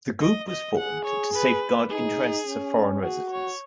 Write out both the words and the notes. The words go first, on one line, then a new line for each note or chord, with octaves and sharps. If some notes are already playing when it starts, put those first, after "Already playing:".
The group was formed to safeguard interests of foreign residents.
D#5
D#5
G#4 F#5
C#5
B4
D#4 G#4
C#4
F#4 G#4
C#5